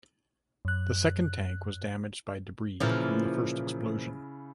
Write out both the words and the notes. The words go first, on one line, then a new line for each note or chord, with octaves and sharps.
The second tank was damaged by debris from the first explosion.
F#2 F#6
A#2 C#3 E3 F3 E4 F6